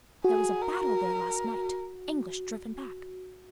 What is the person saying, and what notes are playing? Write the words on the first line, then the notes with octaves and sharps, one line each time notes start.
There was a battle there last night--English driven back.
F#4 G#4
A#4